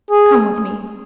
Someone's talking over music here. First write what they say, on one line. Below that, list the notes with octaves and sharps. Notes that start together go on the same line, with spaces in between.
Come with me.
G#4